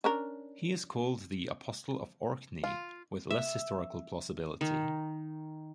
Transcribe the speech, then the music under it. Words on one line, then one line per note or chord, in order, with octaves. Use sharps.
He is called the apostle of Orkney, with less historical plausibility.
C#4 D4 A#4
F4
E5
D#3